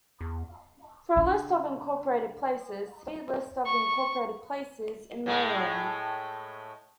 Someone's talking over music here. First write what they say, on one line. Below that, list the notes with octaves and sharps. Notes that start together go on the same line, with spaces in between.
For a list of incorporated places, see List of incorporated places in Maryland.
E2
C#3 D4
C#6
A2 G#3 A3